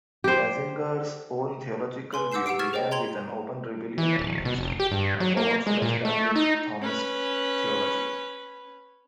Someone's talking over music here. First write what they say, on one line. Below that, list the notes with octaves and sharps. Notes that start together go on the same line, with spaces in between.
Ratzinger's own theological view began with an open rebellion against powerful established Thomist theology.
G4 C5
B4 G#5 C6 F#7
F#5 D6 E6 G6 C7 E7
G4 F#5 E6 C7 D7
C#6 F6 G#6 A6 E7
G#4 C5 C#5 D#5 G5
G5 A#5 C6 G#6 F7 F#7
E3
D1
B2
F1
G4
G2
F#3
A#3
G#3
A#2
A3
D#4
C#4 B4